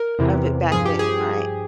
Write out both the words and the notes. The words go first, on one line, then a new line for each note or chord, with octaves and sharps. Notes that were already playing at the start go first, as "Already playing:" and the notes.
Of it back then, right.
Already playing: A#4
E2 C3 E3
G2 F3 G#4
G4
G#4